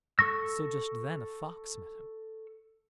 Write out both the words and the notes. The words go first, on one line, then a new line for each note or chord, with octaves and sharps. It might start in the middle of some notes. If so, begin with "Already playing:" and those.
So just then a Fox met him.
A4 C#6 E6 A#6